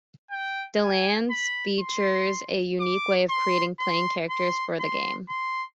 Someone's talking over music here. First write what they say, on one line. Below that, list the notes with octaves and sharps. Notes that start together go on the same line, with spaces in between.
"Deadlands" features a unique way of creating playing characters for the game.
G5
G#5
B5
C6
D6
C6
C6
C6
C6
C6